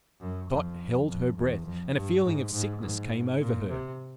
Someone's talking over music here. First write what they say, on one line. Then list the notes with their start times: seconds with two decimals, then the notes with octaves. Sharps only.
Dot held her breath, and a feeling of sickness came over her.
0.20 F#2
0.50 F2
1.08 F2
1.37 E2
1.66 F2
1.95 G2
2.24 G#2
2.53 G#2
2.82 G#2
3.40 A#2
3.69 C3